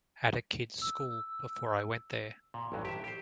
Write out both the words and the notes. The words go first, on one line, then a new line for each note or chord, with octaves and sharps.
At a kid's school before I went there.
E6
A#2
A1 G2 F#3
G4 E5
G4 C5